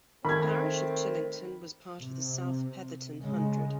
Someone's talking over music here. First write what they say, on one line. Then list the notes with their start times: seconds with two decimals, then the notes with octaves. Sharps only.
The parish of Chillington was part of the South Petherton Hundred.
0.25 D#3 A3 C4 B5 G#6
1.98 C3
3.22 C#3 G#3